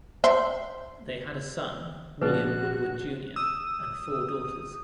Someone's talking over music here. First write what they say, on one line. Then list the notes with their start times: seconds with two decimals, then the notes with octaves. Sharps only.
They had a son, William Woodward Junior and four daughters.
0.24 C5 E5
2.22 A#2 D3 F3 F#4 B4 D5 F#6
3.36 D#6 E6